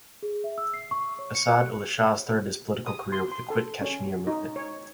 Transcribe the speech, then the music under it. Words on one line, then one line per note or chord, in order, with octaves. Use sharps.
Assad Ullah Shah started his political carrer with the Quit Kashmir Movement.
G#4
E5
E6
C7
C#6
C#5
C#7
F#6
D#6
C6
C6
A4
C#4
D#4
C#5